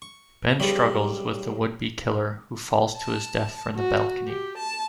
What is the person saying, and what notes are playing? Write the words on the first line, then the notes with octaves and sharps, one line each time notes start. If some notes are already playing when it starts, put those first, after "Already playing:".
Ben struggles with the would-be killer, who falls to his death from the balcony.
C#6
B1 C#3 G3 B5
A5
F#4
G4
A5